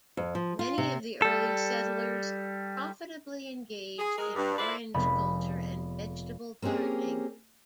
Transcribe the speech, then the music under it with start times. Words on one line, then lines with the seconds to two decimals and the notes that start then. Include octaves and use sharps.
Many of the early settlers profitably engaged in orange culture and vegetable gardening.
0.17 F2
0.35 F3
0.59 F4
0.78 C3
1.22 G3 A4
3.99 G#4
4.18 G#3 G#4 A#4
4.36 G2
4.59 E4 F4 A4 B4 C5 D5
4.94 F1 G#3 B3 B5
6.62 A#3 C4 C#4 G4 G#4